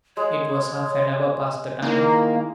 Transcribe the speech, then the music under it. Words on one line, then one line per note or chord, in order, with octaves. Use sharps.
It was half an hour past the time.
G#3 C#5
D#3 A#3 E4